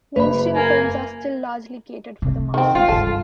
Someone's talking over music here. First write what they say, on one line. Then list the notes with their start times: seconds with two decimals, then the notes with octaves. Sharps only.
Mainstream films are still largely catered for the masses.
0.16 F#1 B4 B5
0.55 A#3 G#5
2.22 C3
2.54 D#3 C4
2.75 G#3 F4
2.89 G2 D3 A4